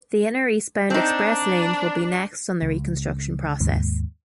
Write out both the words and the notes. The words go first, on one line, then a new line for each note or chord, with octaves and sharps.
The inner eastbound express lanes will be next on the reconstruction process.
C4 D4 D#4
C#2
D#2 G#2